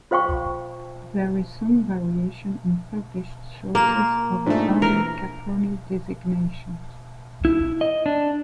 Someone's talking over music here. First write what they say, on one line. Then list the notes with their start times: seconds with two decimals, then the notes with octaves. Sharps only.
There is some variation in published sources over early Caproni designations.
0.11 F4 C5 F5 G5 C#6
3.75 A#3 F4 A#4 E7
4.47 G#2 A3 D4 F4 C5
4.82 E3 A#4 F6
7.45 E4
7.81 D#5
8.06 D4